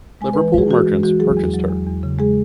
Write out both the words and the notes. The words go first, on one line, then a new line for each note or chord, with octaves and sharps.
Liverpool merchants purchased her.
G#3 G#5
E3 B4
G#3 G#4
E3 F#4
G#3
E3 F#4
F#3 G#4
E2
F#3
E2
E2
C#3
G#3 G#4